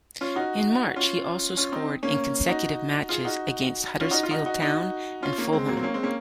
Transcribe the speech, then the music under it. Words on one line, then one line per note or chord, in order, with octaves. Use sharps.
In March, he also scored in consecutive matches against Huddersfield Town and Fulham.
C#4 F4
D#4 F#4
C#4 F4
C#4 F4
C4 D#4
A#3 C#4
D#4 F#4
F4 G#4
D#4 F#4
C#4 F4
D#4 F#4
F4
D#4 F#4
D#4 F#4
D#4 F#4
C#4 F4
A#3 C#4
G#3 C4
F#3 A#3
C4
A#3 C#4
G#3 C4
A#3 C#4